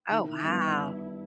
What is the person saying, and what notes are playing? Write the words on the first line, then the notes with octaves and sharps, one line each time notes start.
Oh, wow.
D#3 E4
G3 B3 D4